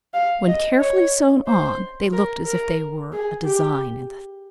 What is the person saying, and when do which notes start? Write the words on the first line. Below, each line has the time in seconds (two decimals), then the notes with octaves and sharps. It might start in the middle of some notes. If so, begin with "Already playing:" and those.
When carefully sewn on they looked as if they were a design in the stuff.
0.14 F5
0.47 D#5
0.80 C#5
1.47 C5
2.13 A#4
2.46 A#4
3.12 G#4
3.44 G4